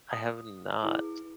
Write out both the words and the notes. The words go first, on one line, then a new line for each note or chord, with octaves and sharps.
I have not.
D#6
E4 G#4 B4